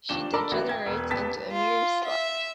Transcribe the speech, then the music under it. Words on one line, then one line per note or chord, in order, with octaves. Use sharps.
She degenerates into a mere slut!
D#2 F3 D4 E7 G7
D4 A4 A#4 D5 A#5 B5
A1 B3 E4 F#4
G5 G#6
E1 B4
D#1 B3 G5 A5 A6 B6
F4
E5